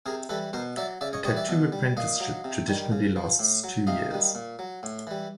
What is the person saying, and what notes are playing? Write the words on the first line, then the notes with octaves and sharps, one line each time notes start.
A tattoo apprenticeship traditionally lasts two years.
C3 G#4 A#4
E3 G3 A4 B4
B2 A#4 C5
F#3 D5 E5
C#3 D5 E5
C#5 D#5
E3 G3 C#5 D#5
D5 E5
B2
G3
A#2 D#5 F5
F#3
C3
D#3 G3
C#3
F3
A2
F#3
C3 D#5 F5
D#3 G3
A#2
F#3
A2
E3 G3